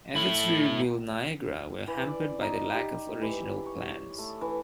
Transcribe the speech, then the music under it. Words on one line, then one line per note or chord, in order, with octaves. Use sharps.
Efforts to rebuild "Niagara" were hampered by the lack of original plans.
A3 E4
E3
D5
D#4
G4
E3
C#5
A3
E3